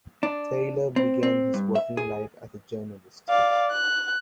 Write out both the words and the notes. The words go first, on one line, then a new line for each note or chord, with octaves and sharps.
Taylor began his working life as a journalist.
D4
C4
C4
G2
E5
G#4
D5 F5
F#6